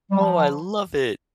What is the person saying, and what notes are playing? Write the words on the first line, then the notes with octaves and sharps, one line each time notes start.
Oh, I love it.
G3
F3